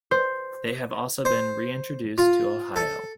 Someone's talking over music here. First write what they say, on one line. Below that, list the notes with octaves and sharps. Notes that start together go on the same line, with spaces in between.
They have also been reintroduced to Ohio.
C5
C5
F4
A4